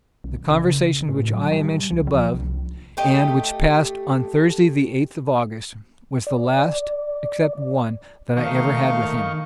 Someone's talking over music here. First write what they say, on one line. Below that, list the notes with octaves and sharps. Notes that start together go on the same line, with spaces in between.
The conversation which I mentioned above, and which passed on Thursday the eighth of August, was the last, except one, that I ever had with him.
B1
C#3
A2
F#3
G3
C#2
F3
C2
A3 G4 D#5
D5
D#3 A3 A#3 F5 C#6